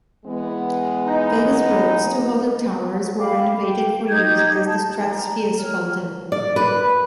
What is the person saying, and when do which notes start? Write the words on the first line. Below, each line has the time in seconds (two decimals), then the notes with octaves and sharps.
Vegas World's two hotel towers were renovated for use as the Stratosphere's hotel.
0.24 E3 G#3 B3
1.07 D#4
3.18 F5 G5 B5 D6
3.59 G5
4.09 D#4 G4 G6 G#6
4.65 A5
5.12 A#5
5.60 A#4 C#5 F6
6.32 D5
6.56 B4